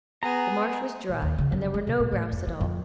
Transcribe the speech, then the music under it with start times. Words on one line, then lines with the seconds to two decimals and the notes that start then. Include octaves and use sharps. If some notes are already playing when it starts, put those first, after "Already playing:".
The marsh was dry and there were no grouse at all.
0.23 B3 G#4 A#5
1.09 A#2
1.22 D#2
1.38 C#3
1.52 F#2
1.74 G#3
1.87 C3
2.00 A#2
2.12 A2
2.33 F2
2.47 E3
2.60 F2